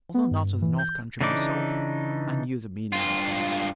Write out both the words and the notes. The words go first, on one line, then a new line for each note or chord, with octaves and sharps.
Although not of the north country myself, I knew the meaning of the phrase.
B3
G2
E3
G6
C#3 E3 D4 D#4 D6
G2 F4